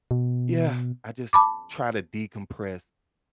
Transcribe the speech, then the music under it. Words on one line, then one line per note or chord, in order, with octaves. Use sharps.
yeah, I just t try to decompress
B2
A5 B5 D6